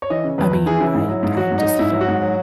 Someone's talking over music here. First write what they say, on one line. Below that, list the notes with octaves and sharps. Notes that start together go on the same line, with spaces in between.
I mean, my I just felt
C#5
E3 D#5
C#3
E2 B4
E2
E3 G#4
C#3 E4
G#2
F#3
G#2
F#3 F#4
G#2
D#4
F#3
G#2 E4
F#3
F#4
G#2
F#3